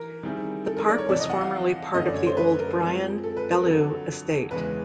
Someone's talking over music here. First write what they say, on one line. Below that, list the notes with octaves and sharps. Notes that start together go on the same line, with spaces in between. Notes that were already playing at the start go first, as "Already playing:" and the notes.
The park was formerly part of the old Bryan-Bellew Estate.
Already playing: E3 A#4
D#3 G3 C4 E4 G#4
A4
A#4
D5
C#5
F2 C3 E3 D5
D#5
F#5
F5
F#2 D3 F#3 A3 C#4 D#5
D5
C#5
C5
B4
A#4
F3 G#3 C4
A4
B4
A#4
F2 D3 F#3 A4
E2 C#3 E3 G#3 B4